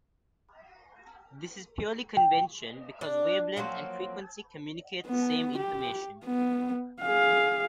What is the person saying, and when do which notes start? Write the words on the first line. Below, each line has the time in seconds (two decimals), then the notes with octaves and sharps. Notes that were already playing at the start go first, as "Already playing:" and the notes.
This is purely convention because wavelength and frequency communicate the same information.
2.17 G5
3.01 D4
3.56 F3 F#3 A#3 C4
5.07 B3
5.58 G4
6.25 B3
7.02 G#4 F5